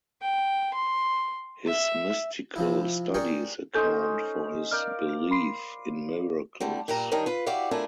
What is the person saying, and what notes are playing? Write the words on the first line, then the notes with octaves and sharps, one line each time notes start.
His mystical studies account for his belief in miracles.
G5
C6
E5
C3 F3 E4
G4 G#4 A#4 D5 C#6
C#4 D#4 A4 C5 G6
A#4 D5 F5 F6 G6
B5 C6 C7
D3 G3 A3
G2 A#2 G3 A#4 A#5
D#3 G3 D4 D#4 A#4 C#5
F4 B4
E4 F#4 G4 B4 D5 F5
A3 D4 E4 F4 A#4 G#5